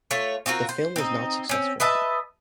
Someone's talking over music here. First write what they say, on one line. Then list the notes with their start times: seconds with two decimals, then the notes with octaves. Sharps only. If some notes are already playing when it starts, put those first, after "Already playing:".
The film was not successful.
0.11 A3 F4 C#5
0.46 C4 F4 F#4 A#4
0.69 C5
0.96 C4 D#4
1.49 C4 C#4
1.80 B4 D#5 E5 A5